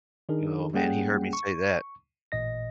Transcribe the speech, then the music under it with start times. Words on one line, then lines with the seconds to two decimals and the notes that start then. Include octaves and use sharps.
Y oh man, he heard me say that.
0.29 D#3 D4 D#4 G#4 A#4
0.74 G3 A#3 C#4 G#4 F#5 G5
1.33 C#6
2.32 A1 A#2 D#5 A#6